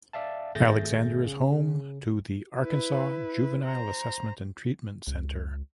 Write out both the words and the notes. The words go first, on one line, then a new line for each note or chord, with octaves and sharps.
Alexander is home to the Arkansas Juvenile Assessment and Treatment Center.
D5 E5 F5 A5
G#1 A3 G#4 G6 A6 A#6
C#3
E4 B4
C5 A#5
C#2